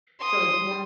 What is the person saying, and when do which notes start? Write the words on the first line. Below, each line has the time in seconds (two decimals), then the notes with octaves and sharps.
So, more
0.20 C6 D#6